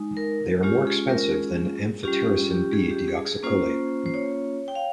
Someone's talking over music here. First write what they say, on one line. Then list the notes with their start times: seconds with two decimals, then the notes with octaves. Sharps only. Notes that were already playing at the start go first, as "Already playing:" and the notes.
They are more expensive than amphotericin B deoxycholate.
Already playing: G#3 D#4
0.17 A#4
0.63 G#3 C#4 F4 G4
0.87 G#4
1.09 A#4
1.33 G#4
2.03 G3 C#4 F4 G4
2.22 G4
2.26 G#4
2.50 G4
2.73 G#4
2.91 G4
3.08 G#4
3.26 G#4
3.43 A#3 C#4 F4 C5
4.06 C5
4.14 C#5
4.68 G5
4.75 F5